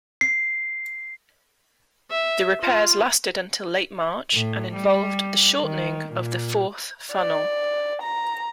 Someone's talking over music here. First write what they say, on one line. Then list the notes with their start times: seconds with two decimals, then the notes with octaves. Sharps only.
The repairs lasted until late March, and involved the shortening of the fourth funnel.
0.21 C7
2.10 E5
2.61 F4
4.33 A2
4.74 G3
5.61 D#3
6.13 A#2
7.13 D5
8.02 A#5